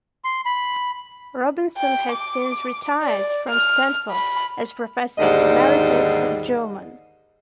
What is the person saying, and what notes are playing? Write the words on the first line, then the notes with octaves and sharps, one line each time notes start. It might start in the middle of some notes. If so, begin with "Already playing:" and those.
Robinson has since retired from Stanford as Professor Emeritus of German.
C6
B5
G5
D6
D5
F6
B5
D#2 G#2 D3 G3 D5 D#5